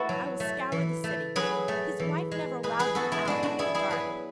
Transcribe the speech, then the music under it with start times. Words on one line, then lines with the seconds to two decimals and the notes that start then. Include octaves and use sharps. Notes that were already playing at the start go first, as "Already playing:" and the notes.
"I will scour the city." His wife never allowed him out after dark.
Already playing: A3 E4 F#4 A4 B4
0.09 F#3
0.40 A3
0.72 E3
1.04 A3
1.36 F#3 G#4 B4
1.68 A3
2.00 E3
2.31 G#3
2.63 G#3 G#4 B4
2.79 G#4 B4
2.95 B3 F#4 A4
3.12 E4 G#4
3.25 G#3 D4 F#4
3.43 D4 F#4
3.59 B3 E4 G#4
3.75 E4 G#4
3.89 F#3 G#4 B4